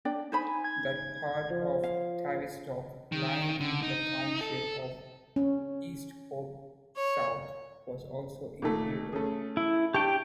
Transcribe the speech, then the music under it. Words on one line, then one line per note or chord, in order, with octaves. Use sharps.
That part of Tavistock lying in the township of Easthope South was also included.
D4 D5 G5
D#4 C5 G#5 B5
G#6
F3
F5
D#3
D3
D#4
A4
C#4
C#5
A#2 D#3 A3
A3 C#4 G#4
E4
D4 G4 G5 A5 C#6